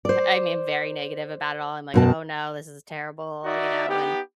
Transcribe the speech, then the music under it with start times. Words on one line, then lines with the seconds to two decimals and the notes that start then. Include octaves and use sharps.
I mean, very negative about it all. I'm like, "Oh, no. This is terrible," you know? And,
0.05 C5 D5
1.94 F#2 B2 A5
3.44 D#4 F#4 D5 E5
3.88 B3 D#4 G4